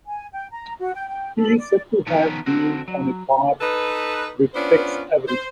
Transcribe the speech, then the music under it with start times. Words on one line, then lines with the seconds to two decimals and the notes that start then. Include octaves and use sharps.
He is said to have been on a par with Tex Avery.
0.07 G#5
0.33 G5
0.51 A#5
0.79 F#4
0.95 G5
1.08 G5
1.38 A4
1.58 D5
2.07 D#3 F3 B3 C#4 D#4 F4
2.46 D3 C4 F#4
2.88 F#3
3.61 D#4 A4 B4
4.54 B3 C#4 D4 F4 C5
5.27 C5